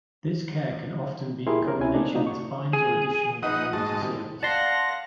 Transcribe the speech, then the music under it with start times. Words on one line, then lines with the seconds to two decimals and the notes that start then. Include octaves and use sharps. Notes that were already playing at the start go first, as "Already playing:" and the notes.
This care can often be in combination with fines or additional community service.
1.47 E4 G4 G#4 A#4 C6
1.66 D4 A#4
1.79 C#2 C#4 E4 G#5
1.94 A3 A#3 C4 D4 D#4
2.15 C3 D4 D#4 F4 F#4
2.27 C#6
2.73 G#4
3.43 A#1 D#4 B4 D#5 F#5 D#6
3.73 G#2 F#4 D#5 A5
4.01 C3 D#3 G3
4.43 D5 F5 F#5 A5 C6 A#6